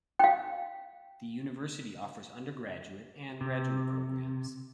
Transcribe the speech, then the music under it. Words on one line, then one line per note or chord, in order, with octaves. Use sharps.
The university offers undergraduate, and graduate programs.
F5 G5
C3